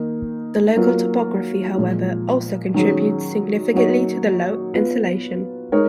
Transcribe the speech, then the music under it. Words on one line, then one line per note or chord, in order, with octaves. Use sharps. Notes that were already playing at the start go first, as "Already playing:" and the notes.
The local topography, however, also contributes significantly to the low insolation.
Already playing: D#3 A#3 D#4
F#3 A#3 F4 A#4
A#2 F3 G#3
D#3 F#3 C#4 G#4
F#3 A#3 D#4 F#4 C#5
B3 F4 B4
G#3 D#4 A#4 C#5